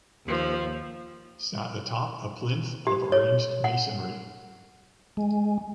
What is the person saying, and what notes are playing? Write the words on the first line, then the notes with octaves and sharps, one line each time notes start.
Sat atop a plinth of arranged masonry.
D#2 F3
G4
C#5
F#5
G#3